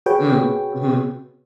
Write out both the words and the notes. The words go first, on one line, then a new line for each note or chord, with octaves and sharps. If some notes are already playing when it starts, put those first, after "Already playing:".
Mm, mhm.
F#4 G#4 B4 C#5 G5